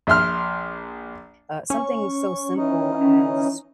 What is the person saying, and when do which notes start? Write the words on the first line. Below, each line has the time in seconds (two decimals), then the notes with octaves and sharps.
Uh, something so simple as
0.07 A#1 E5 C6 F6
1.70 C#4 C#6
2.57 E3 D#4